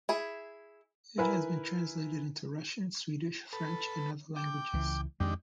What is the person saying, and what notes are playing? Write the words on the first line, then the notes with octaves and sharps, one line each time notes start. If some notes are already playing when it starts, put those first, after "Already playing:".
It has been translated into Russian, Swedish, French, and other languages.
E4 G#4
E4 A#4 B4 G#5 B5
A4 B4
G5 D6
C#2 E3
F2 D#3 G#3 D4 G4